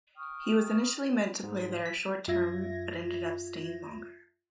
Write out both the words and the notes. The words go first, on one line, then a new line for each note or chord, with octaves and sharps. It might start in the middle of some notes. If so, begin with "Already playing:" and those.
He was initially meant to play there short term but ended up staying longer.
G5 C#6 D#6 F6
G#2
B6
F#2 F4 E5 G#6 A#6